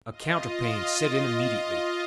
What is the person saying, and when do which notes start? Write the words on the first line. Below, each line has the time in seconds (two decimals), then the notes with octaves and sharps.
A counter-pain set in immediately.
0.10 F4 D#5